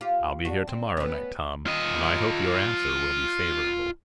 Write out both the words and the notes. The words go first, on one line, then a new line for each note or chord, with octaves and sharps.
"I'll be here to-morrow night, Tom, and I hope your answer will be favorable."
F4 G4
D4 F#4
C4
B3 C#4
F4 D#5